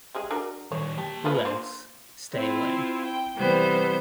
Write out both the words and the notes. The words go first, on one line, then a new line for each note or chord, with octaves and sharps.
All else, stay away.
G3 G#3 G#4
D4 F#4 A#4
D#3 G3 C#5
A#3 G4 A5
F3 F4 B4
D4 F4 C5
C4 E4 F4
G5
C3 E3 G3 B3 C5 G6